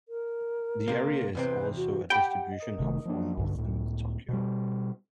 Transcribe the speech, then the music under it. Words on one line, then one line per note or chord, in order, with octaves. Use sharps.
The area is also a distribution hub for northern Tokyo.
A#4
C3 A#3
E2 C3 C4 B4
F#4
G4 F#5 G5 B5
F#1 C3 D#3 A3
F3 A#3 D4
B1 G2 D3
C#2 A2
B2 G3